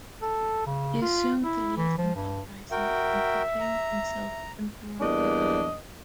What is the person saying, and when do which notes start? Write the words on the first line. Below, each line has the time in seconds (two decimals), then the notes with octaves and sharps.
He assumed the lead in the uprising and proclaimed himself Emperor of Yan.
0.22 A4
0.67 C#3
1.02 F4
1.44 E4
1.77 E3
1.98 F3
2.16 G2
2.71 F#4 A#4 E5 G5
3.60 A#5
4.99 E2 G3 A#3 D4 D#5